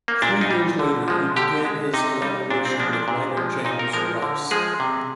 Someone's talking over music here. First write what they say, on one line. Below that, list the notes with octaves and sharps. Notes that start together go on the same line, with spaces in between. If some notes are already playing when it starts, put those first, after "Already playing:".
Three years later he began his collaboration with writer James Rice.
A#3
A#2 D4
D#4
G3
D3
F3 G#3
D3 G4
G#3
C3 D#4
G3 D#4
A#2 D4
C4
F3 G#3 D4
D4
A#2
F3 G#3
A#2 D#4
A#4
F3 G#3 A#4
D3
F3 G#3 G#4
C3